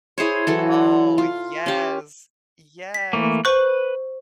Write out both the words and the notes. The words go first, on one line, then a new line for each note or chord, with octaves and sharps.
Oh, yes, yes.
E4 G#4 C5 C#5
E3 F#3 A4
F4
C#4 G4
B6
E3 A3 A#3
B4 C5 C#6 F#6